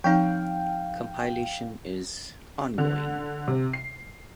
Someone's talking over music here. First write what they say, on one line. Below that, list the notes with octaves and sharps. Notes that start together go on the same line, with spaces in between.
Compilation is ongoing.
F3 C4 D#4 F5 G5
D3
C3
C7